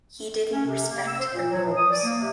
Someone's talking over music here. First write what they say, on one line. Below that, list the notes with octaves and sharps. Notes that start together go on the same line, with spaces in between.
He didn’t respect the rules.
C#4
C3
A#3
E6
C5
A#2
F#3
F3
D#6
D5
A#3
C3